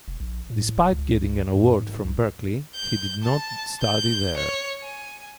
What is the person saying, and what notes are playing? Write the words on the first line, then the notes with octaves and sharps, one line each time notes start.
Despite getting an award from Berklee, he did not study there.
E1
A#1
A2
D#1
C#2
F#2
G#2
C2
G6
A5
G6
C#5
G#5